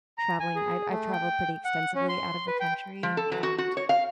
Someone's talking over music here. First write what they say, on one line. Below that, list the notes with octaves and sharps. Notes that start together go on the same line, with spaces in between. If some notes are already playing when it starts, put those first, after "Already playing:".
traveling, I've I've traveled pretty extensively out of the country, and
A#5
G#5
G#4
A3
G5
F#5
C#4
C6
B4
G5
F3
A4
F#3
F#4
F#4
C#5
F5